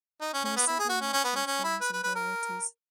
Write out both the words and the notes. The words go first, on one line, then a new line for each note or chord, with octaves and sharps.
There are several natural forms and varieties.
D#4
C#4
C#4
B3
E4
G#4
F#4
C#4
C#4
B3
C#4
C#4
E4
B4
B4
B4
A#4